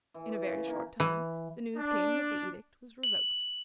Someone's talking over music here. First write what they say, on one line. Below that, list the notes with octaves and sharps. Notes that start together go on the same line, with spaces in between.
In a very short time the news came that the edict was revoked.
E3
D5
C#3
A#3
E3
D4
F#7